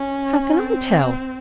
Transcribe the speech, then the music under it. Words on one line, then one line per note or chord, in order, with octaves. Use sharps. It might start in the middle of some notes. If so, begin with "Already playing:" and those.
"How can I tell?"
Already playing: C#4
C4